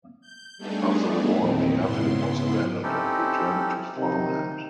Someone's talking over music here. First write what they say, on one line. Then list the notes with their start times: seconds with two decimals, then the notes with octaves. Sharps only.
After the war the Airfield was abandoned and returned to farmland.
0.21 G6
0.57 G3 A3 B3 D4 D#4 G#4
1.36 E2 A#2 D#3 C4
1.76 G#2 C#3 B3 E4 C6
2.83 C4 C#4 D#4 E4 G4 A4
3.97 C3 D#3 D#4